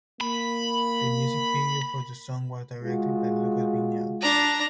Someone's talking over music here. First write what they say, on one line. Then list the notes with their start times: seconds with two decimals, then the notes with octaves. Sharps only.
The music video for the song was directed by Lucas Vignale.
0.21 A#3 B5
2.83 G#3 F4 F#4
4.21 D4 A#5